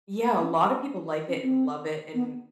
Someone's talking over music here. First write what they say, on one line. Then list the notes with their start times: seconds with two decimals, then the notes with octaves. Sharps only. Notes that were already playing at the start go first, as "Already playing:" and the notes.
Yeah, a lotta people like it and love it, and
0.41 C#4
1.28 C#4
1.42 C4
2.14 B3